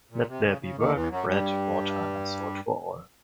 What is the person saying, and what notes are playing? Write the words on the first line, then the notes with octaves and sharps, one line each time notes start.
Let there be work, bread, water and salt for all.
A#2
C3
C#3
C#3
D#2 D#3
E2 E3
F#2 F#3
G2 G3